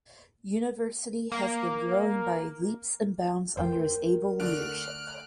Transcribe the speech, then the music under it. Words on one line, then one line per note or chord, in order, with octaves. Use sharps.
University has been growing by leaps and bounds under his able leadership.
A#3
F2 A3 A#4 C5 G5
D2 D3 D4 F6 F#6 D7